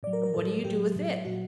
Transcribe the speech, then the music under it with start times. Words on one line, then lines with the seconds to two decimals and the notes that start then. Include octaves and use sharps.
"And what do you do with it?"
0.03 A2 F#3 D5
0.13 A#4
0.23 A#4
0.33 A2 F#3 A4
0.64 A2 F#3 G4
0.95 A2 F#3
1.25 A#2 F#3 F#4